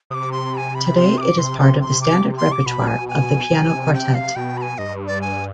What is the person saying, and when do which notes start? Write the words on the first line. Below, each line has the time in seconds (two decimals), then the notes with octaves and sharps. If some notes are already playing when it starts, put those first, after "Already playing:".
Today it is part of the standard repertoire of the piano quartet.
0.10 C3 D#6
0.14 D6
0.32 C6
0.54 B5
0.57 G#5
0.75 B5
0.96 C6
1.18 D#6
1.21 D6
1.38 C3 C6
1.60 C6
1.81 C6
2.02 D6
2.38 C6
2.52 D6
2.66 B2 B5
2.87 G#5
3.08 G#5
3.51 C3
3.94 G5
4.14 F5
4.36 B2 G5
4.57 B5
4.62 G#5
4.78 G2 D#5
5.07 D5
5.21 G#5